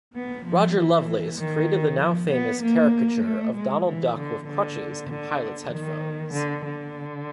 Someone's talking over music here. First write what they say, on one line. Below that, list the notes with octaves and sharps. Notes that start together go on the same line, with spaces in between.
Rodger Lovelace create the now-famous caricature of Donald Duck with crutches and pilot's headphones.
B3
F3
E3
D#3
F3
B3
A#3
A3
G#3
E3
D3
D3
D3
D#3
D3
D3